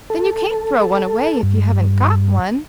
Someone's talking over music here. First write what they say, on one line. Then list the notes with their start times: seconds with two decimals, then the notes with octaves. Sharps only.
"Then you can't throw one away, if you haven't got one."
0.10 A4
1.43 G2